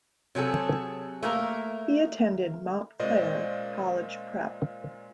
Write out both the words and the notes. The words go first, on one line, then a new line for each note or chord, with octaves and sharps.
He attended Montclair College Prep.
C3 F#3 G#4 A4
A3 A#3 A#4
A#2 G#3 C#4 C5 D5 D#5